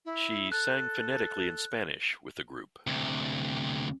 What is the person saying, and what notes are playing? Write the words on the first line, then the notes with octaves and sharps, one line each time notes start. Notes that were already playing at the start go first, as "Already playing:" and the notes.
She "sang phonetically in Spanish" with the group.
E4
A4 F#6
D2 C3